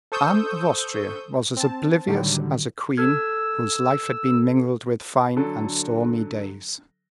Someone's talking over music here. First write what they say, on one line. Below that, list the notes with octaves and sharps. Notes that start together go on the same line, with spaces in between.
Anne of Austria was as oblivious as a queen whose life had been mingled with fine and stormy days.
A4 C5 C#6 D#6 E6 G6
C4 A5
A2 D3 D#3 F#3 G3
A4 E6 F6 G#6
D3 F#3 A4